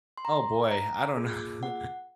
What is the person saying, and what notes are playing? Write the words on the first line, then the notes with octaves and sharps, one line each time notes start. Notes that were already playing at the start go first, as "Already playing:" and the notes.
Oh, boy. I don't kn
C6
A#5
A#5
A#3 F4 G#4
F#5